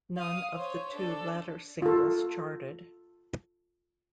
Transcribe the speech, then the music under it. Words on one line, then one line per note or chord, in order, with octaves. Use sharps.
None of the two latter singles charted.
F5 D#6
C5 C#5
D4 A4
F4 A4